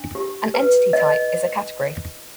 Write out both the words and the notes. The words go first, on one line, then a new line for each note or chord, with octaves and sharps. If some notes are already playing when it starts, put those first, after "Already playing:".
An entity-type is a category.
Already playing: D4
G4
B4
D#5